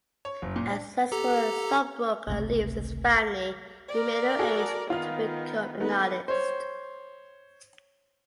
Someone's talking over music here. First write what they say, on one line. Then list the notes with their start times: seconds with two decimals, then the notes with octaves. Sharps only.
A successful stockbroker leaves his family in middle age to become an artist.
0.25 C#5
0.42 F#1
0.56 A#2
0.70 D4
1.12 G4 A4 A#5
2.27 G#1 C#2 C3 A3
3.90 A#4 D5
4.39 F#4 G#4 A4
4.90 D#3 B3 F4 F6
5.80 A3 B3 D#4 B4
6.28 C5 C#5